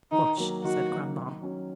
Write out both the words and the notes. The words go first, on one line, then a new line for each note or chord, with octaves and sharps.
"Hush!" said grandma.
D#3 D#4
F#3 A#3
D#3 F#4
F#3 A#3
D#3
F#3 C#4